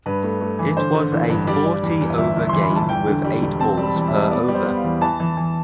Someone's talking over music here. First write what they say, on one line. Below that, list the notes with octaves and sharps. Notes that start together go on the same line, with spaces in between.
It was a forty over game with eight balls per over.
G2 B4
A3
A3
E3
D3 C5
D3
A1
G2
G3 D5
G3
E2
E2
G1 E5
G1
E3 C6
B5
G1 A5
E2 G5
D3
G3
E1
C4 A5
G3
B5
E2
E5
G3
B3 D5
G3
C5
B3
F5
E2
E3 A5
E3
E3